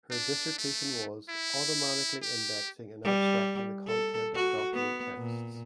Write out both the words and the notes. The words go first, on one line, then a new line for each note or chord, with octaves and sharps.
Her dissertation was "Automatically Indexing and Abstracting the Content of Document Texts".
D4
A3
E4
G4
G3
A4
F#4
B3
A#2